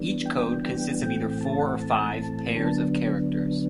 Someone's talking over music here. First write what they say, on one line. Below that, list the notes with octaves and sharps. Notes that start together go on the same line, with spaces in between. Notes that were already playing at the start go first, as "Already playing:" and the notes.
Each code consists of either four or five pairs of characters.
Already playing: E3 G3 B3 D4
G5
A2 E3 A3 C4 G5
G5
A5
F#5
A5
D3 F#3 B3 D4 A5